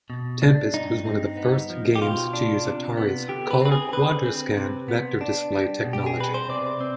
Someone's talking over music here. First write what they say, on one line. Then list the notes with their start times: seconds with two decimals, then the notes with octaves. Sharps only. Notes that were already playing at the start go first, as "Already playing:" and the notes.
"Tempest" was one of the first games to use Atari's Color-QuadraScan vector display technology.
0.10 B2
0.42 D4
0.73 G2 D#4
1.06 C4
1.37 B3
1.70 F3
1.96 G4
2.02 B2 F4
2.33 D4
2.65 C3
2.97 B3
3.29 D3 G4
3.51 B4
3.61 C4 B4
3.72 G#4
3.93 D3 B4
4.25 C4
4.57 C3
4.88 B3
5.21 D4
5.53 G3
5.85 B2
5.93 G4
6.06 G#4
6.17 C4 B4
6.34 C5
6.49 C3 D5
6.80 C4